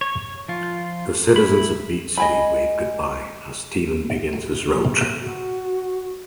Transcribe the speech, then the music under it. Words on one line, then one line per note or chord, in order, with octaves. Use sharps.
The citizens of Beach City wave goodbye as Steven begins his road trip.
C#5
F3 F4
E4 B5
D#5 G#5 B5
F#4